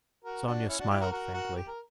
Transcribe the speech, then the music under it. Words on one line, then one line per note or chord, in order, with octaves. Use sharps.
Sonia smiled faintly.
F#4 A#4
D4 F#4
C#4 E4
D4 F#4
E4 G4
F#4 A#4
F#4 A#4
F#4 A#4
G4
A#4